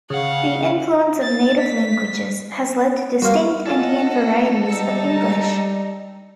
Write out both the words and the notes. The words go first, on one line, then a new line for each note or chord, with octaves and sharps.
The influence of native languages has led to distinct Indian varieties of English.
C#3 F5 F#5
A6
B6
G3 A#3 F#4 A#4 C6
C#4 D4 F4 A4 D#5 F#5
G3 D#4 E6 C#7